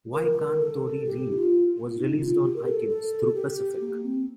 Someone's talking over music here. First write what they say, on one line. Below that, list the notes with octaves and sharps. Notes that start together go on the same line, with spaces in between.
"Y Kant Tori Read" was released on iTunes through Pacific.
A#4
A#4
A4
G4
D#4
F4
F4
D#4
F4
G4
A#4
A4
A4
A4
G4
A#3
C4